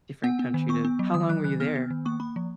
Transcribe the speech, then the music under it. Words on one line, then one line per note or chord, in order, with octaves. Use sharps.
different country to how long were you there
B3 F#5
B3
D#3
B3 C#6
B3
F#3
D#3 D#6
F#3 F#6
D#3 F#6
B3 F6
B3
D#3
A#3 C#6
A#3 B5
F3